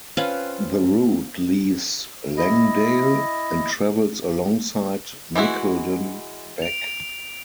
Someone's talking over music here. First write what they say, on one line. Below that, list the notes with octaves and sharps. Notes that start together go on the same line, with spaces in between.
The route leaves Langdale and travels alongside Mickleden beck.
C4 C#4 F4 B4 F5
E4 D#5
E3 G#3 E4 F#4
D7 F7